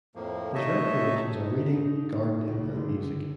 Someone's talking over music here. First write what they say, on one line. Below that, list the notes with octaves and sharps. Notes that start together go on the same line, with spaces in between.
His recreations are reading, gardening and music.
F2 A2 F3 A#3
A2 D#4 C#5 D#5 E5 A5
D#4
C#2
D3